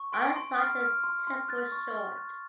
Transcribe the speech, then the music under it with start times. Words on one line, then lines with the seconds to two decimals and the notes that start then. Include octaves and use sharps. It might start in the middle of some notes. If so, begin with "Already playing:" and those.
Eyes large and temple short.
Already playing: C#6
0.12 C6 D7
0.36 C6
0.58 F6
0.81 F6
1.04 C6
1.27 C6
1.49 F#6 A6
1.72 C#6
1.95 C#6
2.18 F#6